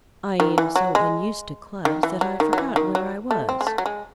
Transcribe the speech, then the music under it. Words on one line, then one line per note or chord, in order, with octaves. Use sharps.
"I am so unused to clubs, that I forgot where I was."
D#3
E3
F#3
G#3
D#3
E3
F#3
D#3
F#3
E3
D#3
F#3
A3
C4
G#3
A3
F#3
G#3